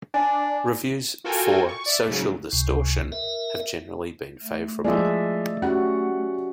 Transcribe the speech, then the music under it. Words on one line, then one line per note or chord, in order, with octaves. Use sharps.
Reviews for "Social Distortion" have generally been favorable.
D4 G#5
F4 F#4 A4 A#4 G5 G#5
C#6
D5 E5
G#2 C#3 F#3
C#2 C3
A#4 E5
A3
F3 G#3 D5 E5
C#4 F#4 G4 F#5